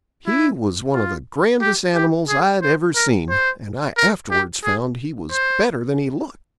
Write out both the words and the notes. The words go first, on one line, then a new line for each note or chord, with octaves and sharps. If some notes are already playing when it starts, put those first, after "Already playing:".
He was one of the grandest animals I'd ever seen, and I afterwards found he was better than he looked.
E4
F4
G4
G4
G#4
C5
A#4
C5
A#4
G4
G#4
C5